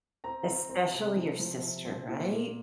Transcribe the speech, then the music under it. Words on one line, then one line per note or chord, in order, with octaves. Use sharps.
Especially your sister. Right?
C4 A#5
C4
C4
C3
F3
F3
C3
C4
A#2
A#2